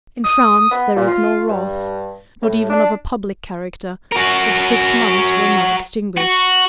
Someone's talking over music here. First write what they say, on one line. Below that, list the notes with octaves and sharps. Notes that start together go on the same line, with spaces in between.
In France, there is no wrath, not even of a public character, which six months will not extinguish.
D#6
B3
A#2
F4
G2
A2
D4
F#4 A#4
F#4